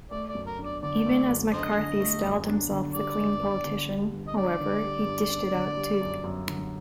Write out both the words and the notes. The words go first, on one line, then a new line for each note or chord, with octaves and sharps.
Even as McCarthy styled himself the clean politician, however, he dished it out, too.
A3 D5
D5
F#2
A#4
D4
D5
D3 D5
A3
F#2
D4 C5 D#5
D3
A3
F#2
D4
D3
G3 D5
G2
D4
D3
G3
G2
D#5
D4 D5
D3
G3
G2
D4
D3
G3
F#2
F#2
D3